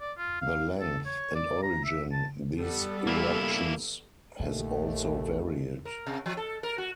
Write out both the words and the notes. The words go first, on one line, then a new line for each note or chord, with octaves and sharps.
The length and origin these eruptions has also varied.
D5
F4
F5
A4
C#5
D5
A#5
E5
A5
G3 B3 A4
A#3 E4
A#1 D#2 A3
A#4
C3
F3
A4
A#4
F#4